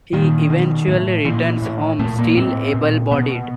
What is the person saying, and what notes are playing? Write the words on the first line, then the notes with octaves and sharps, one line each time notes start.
He eventually returns home, still able-bodied.
A#2 D#3
B2
A2
A#2 E3
A2
A#2 A3
A#3
A2 C4
A#2
B2 B3